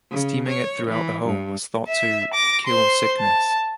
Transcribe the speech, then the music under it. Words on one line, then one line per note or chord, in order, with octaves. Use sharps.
Steaming it throughout the home was thought to "kill" sickness.
C#3
C#5
E3
G2
E5
D6 A#6
C5 C6
A5